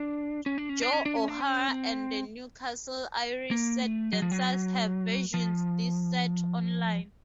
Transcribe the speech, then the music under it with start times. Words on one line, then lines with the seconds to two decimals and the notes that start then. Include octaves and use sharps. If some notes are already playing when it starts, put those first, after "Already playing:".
Joe O'Hara and the Newcastle Irish Set Dancers have versions this set online.
Already playing: D4
0.46 C#4
0.58 D4
0.69 C#4
0.82 D4
0.93 C#4
1.06 D4
1.17 C#4
1.28 D4
1.40 C#4
1.68 C4
3.51 A#3
3.82 A3
4.13 F#3
4.22 F3
4.32 F#3
5.34 F3